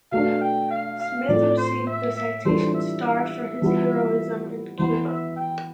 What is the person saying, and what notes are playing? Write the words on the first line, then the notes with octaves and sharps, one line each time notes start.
Smith received the Citation Star for his heroism in Cuba.
B2 A3 D4 F5
G5
F5
F5
A2 F3 C4 F4 A4 D5
C5
E5
E5
E3 G3 D4 F4 A4 C5
E5
E5
E3 G3 B3 F4
E3 B3 E4 C5
E5
G5